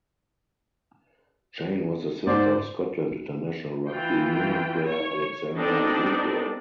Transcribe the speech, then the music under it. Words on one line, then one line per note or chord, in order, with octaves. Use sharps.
Jane was the sister of Scotland international rugby union player Alexander Woodrow.
G#2 C5 D5
E3 F4 G5
C#5
B3 C4 D4 D#4 A4 D5